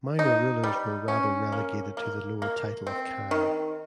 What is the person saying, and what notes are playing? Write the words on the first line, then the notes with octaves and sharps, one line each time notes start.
Minor rulers were rather relegated to the lower title of khan.
D#4
G3
C#4
A#3
A#3
A#3
C4
D#3